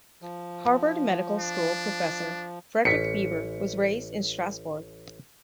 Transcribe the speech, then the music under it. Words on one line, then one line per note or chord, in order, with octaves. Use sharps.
Harvard Medical School professor, Frederick Bieber, was raised in Strasbourg.
F3
D4
A1 B6 C#7